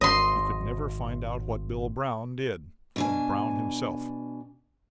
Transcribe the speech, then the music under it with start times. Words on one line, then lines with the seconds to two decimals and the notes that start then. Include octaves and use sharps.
You could never find out what Bill Brown did from Brown himself.
0.01 G#1 D#5 C6
2.96 B2 D4 G#5